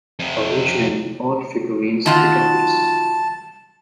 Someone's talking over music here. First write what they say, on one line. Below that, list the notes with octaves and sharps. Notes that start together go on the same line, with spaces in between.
Originally all the Figurines guitarists.
F2 C3
D#3 F4 F#4 A5